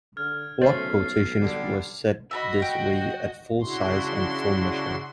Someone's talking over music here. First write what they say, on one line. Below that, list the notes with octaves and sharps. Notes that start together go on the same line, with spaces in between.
Block quotations were set this way at full size and full measure.
D3 F6 G#6
B1 B2 A3 C#4 C5 A6 C7
C7
D3 G3
F#4 D#5 E5 A#5 B5
G5
C#3 D4 E4 F#4 C6